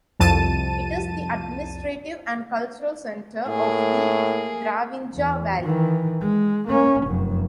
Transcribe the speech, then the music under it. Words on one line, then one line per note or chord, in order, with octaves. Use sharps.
It is the administrative and cultural centre of the Dravinja Valley.
C2 F2 A5 D#7
A2 A#3 G#4
E2
D#3 E3
G#3
A#3 C#4
F1 F#2